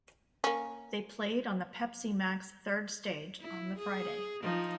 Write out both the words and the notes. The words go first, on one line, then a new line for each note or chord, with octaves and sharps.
They played on the Pepsi Max third stage on the Friday.
A#3 C#4
E4
G#4
F3 D#4